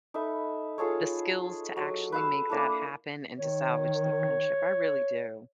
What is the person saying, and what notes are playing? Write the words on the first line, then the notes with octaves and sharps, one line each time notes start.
the skills to actually make that happen and to salvage the friendship, I really do.
D#4 A4 B4 E5
F4 G#4 A4 C#5
F#3
B4 F5 E6
A#3 D4 E4 A4
D#3 C#5